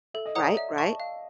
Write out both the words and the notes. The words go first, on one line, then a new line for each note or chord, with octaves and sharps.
Right, right.
A4 E5
D#5
C#5 D5 F#5 A#5 D#6
D#5
E5
A5 C#6
F5